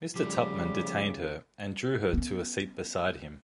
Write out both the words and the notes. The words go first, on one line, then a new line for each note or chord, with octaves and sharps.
Mr. Tupman detained her, and drew her to a seat beside him.
C#3 F3 G3 A3 G4
B3 C#4